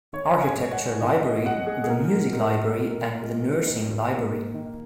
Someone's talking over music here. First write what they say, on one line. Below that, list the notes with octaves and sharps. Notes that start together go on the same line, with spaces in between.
Architecture Library, the Music Library, and the Nursing Library.
D#3 C#5
G#5
G#3
F#5
D#3 D#5
D#5
G#3 F#5
G#4
G#4
A#2 A#4
G#3
A#2
G#3
D#3
A#3
D#3